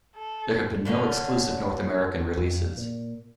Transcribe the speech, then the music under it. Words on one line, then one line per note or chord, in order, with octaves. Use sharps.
There have been no exclusive North American releases.
A4
A#2 D3 A3 C#4
F2
A#2